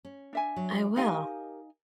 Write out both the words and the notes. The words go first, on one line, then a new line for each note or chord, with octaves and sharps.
I will.
C#4
D4 E5 G#5
F#3
D#4 G4 A#4 D#5 F5 G#5